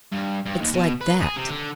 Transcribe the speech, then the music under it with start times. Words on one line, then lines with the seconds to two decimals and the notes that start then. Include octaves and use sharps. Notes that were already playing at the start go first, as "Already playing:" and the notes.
It's like that.
0.12 G2
0.46 G2
0.61 D#2
0.74 B2
1.01 B4
1.21 G#4
1.37 C3
1.50 D3